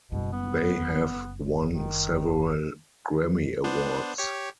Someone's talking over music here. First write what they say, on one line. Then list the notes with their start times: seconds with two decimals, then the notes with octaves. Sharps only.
They have won several Grammy Awards.
0.12 F#1 B2 G3
0.32 B3
1.69 D#3
3.64 B3 D4 C5
4.18 G4 C#5